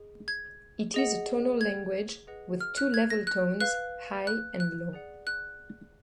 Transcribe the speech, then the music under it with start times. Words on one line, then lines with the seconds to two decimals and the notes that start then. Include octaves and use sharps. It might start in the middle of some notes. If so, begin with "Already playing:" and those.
It is a tonal language with two level tones, High and Low.
Already playing: G#4 D#5
0.28 G#6
0.94 G#4 D#5 F#5
1.61 G#6
2.27 G#4 B4 D#5 F#5
2.61 F6
2.77 F#6
2.94 G#6
3.10 A#6
3.27 F#6
3.60 B4 F5 F#6
4.27 F#6
4.60 F#6
4.93 G#4 D5 F#5
5.27 F#6